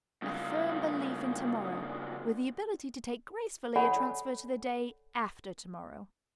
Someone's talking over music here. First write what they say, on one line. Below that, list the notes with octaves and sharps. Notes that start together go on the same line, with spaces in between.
A firm belief in to-morrow with the ability to take gracefully a transfer to the day after to-morrow.
G2 C#3
A4 C#5 D5 F#5 G#5 B5